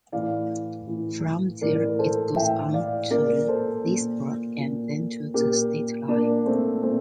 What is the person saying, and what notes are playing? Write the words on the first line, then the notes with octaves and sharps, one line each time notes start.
From there it goes on to Leesburg and then to the state line.
A2 E3 D5 F5
A2 E3
A2 E3 A#4 D5
A#4
A4 C5
A2 E3 E5 G5
D5 F5
A#2 A#4 D5
A4 C5
A#2
A#2
A#2 G4 A#4
A#2 A#3 D4
A3 C4
A#2 A3 C4